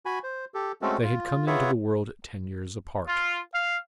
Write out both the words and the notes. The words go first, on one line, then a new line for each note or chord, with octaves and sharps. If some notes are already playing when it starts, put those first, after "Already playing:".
They had come into the world ten years apart.
F#4 G#5 B5
C5
G4 A4
G#3 A3 C4 C#4 F#4 A4
F4
F4 G#4 B4 C#5 E5 F#5
F4
F5